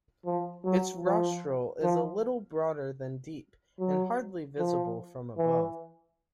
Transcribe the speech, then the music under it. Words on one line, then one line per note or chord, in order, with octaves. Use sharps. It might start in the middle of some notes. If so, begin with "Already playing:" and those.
Its rostral is a little broader than deep and hardly visible from above.
F3
F#3
F3
F3
F#3
F3
E3